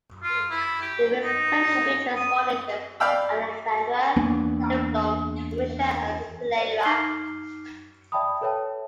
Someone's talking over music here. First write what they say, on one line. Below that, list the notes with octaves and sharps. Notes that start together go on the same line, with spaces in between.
The Mist Continent features four nations: Alexandria, Lindblum, Burmecia, and Cleyra.
F4
E4
G4
D#4
D#6
D5 F5 G5 B5 E6
E2 A#3 B3 D4
C5 D5
D#4 D6 F6 G6 C7 G7
D5 E5 G5 A5 B5 D#6
A4 B4 C#5 E5 G5 A5